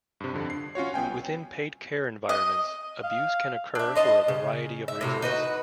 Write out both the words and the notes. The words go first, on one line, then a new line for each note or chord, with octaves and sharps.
Within paid care environments, abuse can occur for a variety of reasons.
G2 C3
F2 D3
C7
C#4 F4 F#4 C#5
C2 B3 G5 G#5
D#5
F5
D4 E5
C5 D#5 F5 A5
C#3
E5
A2 C3 F#4
D#4 F#4 B4